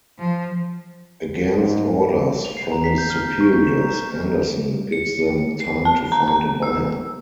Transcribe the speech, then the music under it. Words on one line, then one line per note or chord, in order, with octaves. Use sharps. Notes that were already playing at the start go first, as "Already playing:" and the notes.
Against orders from his superiors, Anderson gives them time to find a buyer.
F3
G#2
F7
C7
A#5
B6
G6
F6
G6
C#6
G6
E7
A#5
G6
C#7
C7
A5
A#5
A#5
E6